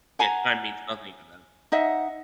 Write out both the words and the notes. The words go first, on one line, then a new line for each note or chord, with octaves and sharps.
yeah, time means nothing to them.
F#5 G#5 A#5
D#4 D#5 E5 F#5